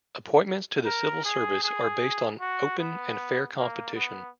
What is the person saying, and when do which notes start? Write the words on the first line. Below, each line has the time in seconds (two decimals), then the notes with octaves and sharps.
Appointments to the civil service are based on open and fair competition.
0.85 A#4
1.24 G#4
1.63 G#4
2.40 F#4
2.78 B3
3.56 A#3
3.95 B3